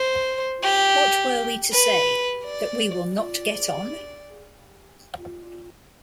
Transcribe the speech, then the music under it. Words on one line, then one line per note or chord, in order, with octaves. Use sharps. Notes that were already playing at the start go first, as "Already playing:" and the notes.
What were we to say, that we will not get on?
Already playing: C5
G4
B4
D5
D5